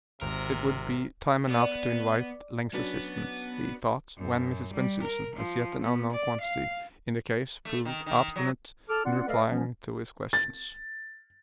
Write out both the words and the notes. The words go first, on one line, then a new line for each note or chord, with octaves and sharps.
It would be time enough to invite Link's assistance, he thought, when Mrs. Bensusan--as yet an unknown quantity in the case--proved obstinate in replying to his questions.
G#1 C3 A#4
B3 D5
F#3 B3 C#4 D4 B4
F#2
G3
A#4
F3
B3
D5
F5
A3
D#3
D#3
F#3
A4 A5 D6 F6
C4 C#4 F4 D5 F#5
A3 A4 B4 D5 D#5 F5
E3 F3 G3 B3 C#4
A6